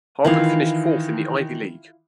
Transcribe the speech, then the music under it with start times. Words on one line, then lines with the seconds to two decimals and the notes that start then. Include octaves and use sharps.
Harvard finished fourth in the Ivy League.
0.25 D#3 E3 E4 F4 F5